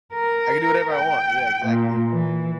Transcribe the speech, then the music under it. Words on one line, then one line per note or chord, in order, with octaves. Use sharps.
I can do whatever I want, yeah, exactly.
A#4
G5
A#2
E3